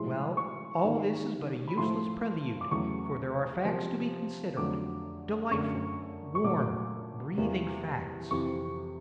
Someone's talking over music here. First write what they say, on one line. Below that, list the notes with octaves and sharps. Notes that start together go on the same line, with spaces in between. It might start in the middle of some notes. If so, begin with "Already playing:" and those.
Well, all this is but a useless prelude, for there are facts to be considered--delightful, warm, breathing facts!
Already playing: A2 F3 G#3 C6
C#6
G#2 D#3 G3 A#3
B5
A2 F3 A3 C6
D6
E2 C#3 F#3 A3 C#6
C3 F3 A#3
F2 D3 F#3 A3 D6
F#2 D3 F#3 A3 C#6
C#6
A#2 F#3 A3 D6
E2 C3 E3 G3 A#3
F2 C3 E3 C#6